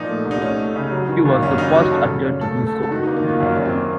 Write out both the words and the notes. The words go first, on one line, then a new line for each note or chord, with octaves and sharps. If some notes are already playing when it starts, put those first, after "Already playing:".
He was the first actor to do so.
Already playing: A#2 F3 D#4
A3
C2
D#4
A3 C#4
A3
C#3
F#3
D#3
D#2
F#2 C#4
C#3 D#4
F#3 F#4
C#3 A4
C#3
C#4
A3 A4
A3
A4
C#2
A4
D#3 F#4
A#3 D#4
D#4
D#2 F4
F#2 C#4
F#2 C#4
C4
A#3